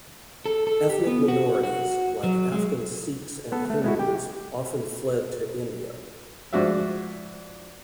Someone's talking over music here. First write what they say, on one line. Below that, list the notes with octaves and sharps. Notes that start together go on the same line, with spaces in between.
Ethnic minorities, like Afghan Sikhs and Hindus, often fled to India.
A4
A4
G4
B3
F#4
F#4
F#3
G#3
B3 A4
A3
G#3 E4 F#4
G4 G5
G#2 F3 D4 F#4 D5 E5